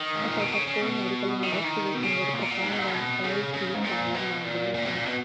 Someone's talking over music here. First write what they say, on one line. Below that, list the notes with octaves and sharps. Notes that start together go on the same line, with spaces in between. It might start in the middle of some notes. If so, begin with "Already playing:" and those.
A set of core medical investigations were performed on all three Skylab manned missions.
Already playing: D#3
G#2
A#2
B2
C#3
C#3
B2
D#3
E3
D#3
B2
C#3
A#2
B2
A#2
G#2
B2
A#2
C#3
B2
C#3
C#3
G#2
A#2
B2
A#2
A#2
B2
A#2
B2